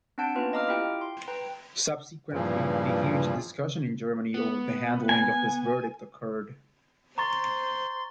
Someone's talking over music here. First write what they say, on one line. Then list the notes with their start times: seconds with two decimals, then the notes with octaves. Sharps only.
Subsequently, a huge discussion in Germany over the handling of this verdict occurred.
0.18 C4 D4 F#5 A5 G6 D7
0.35 A#3 B3 C#4 F4 B4
0.53 D#5 F5 A#5 D6 F6
0.68 E4 F4 G4 G5
1.01 C6
1.27 B4 G5 A#5
2.33 G2 A#2 C#3 E3 F3
4.34 B3
5.09 G#5
7.18 C5 A#5 C6 C#6 A6